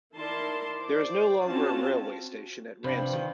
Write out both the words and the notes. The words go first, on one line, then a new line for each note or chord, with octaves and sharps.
There is no longer a railway station at Ramsey.
D#3 E4 A#4 D5 A5 C6
C5 D5
C4 C#4 F4 F#4 A5
G2 C3 F3 B5 F#7
C5 G5
D#3